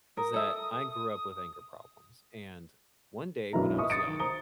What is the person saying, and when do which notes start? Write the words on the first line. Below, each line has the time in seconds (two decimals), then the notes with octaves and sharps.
is that I grew up with anger problems and one day when I was young,
0.17 A#4 D#6
0.34 A4 E5
3.53 B1 F#2 D4 E4 B4 A#5
3.78 D#5 E5 C#6 D#6
3.90 D#6 A6 C#7 D7
4.06 D#3
4.20 C5 A#5 D#6 G7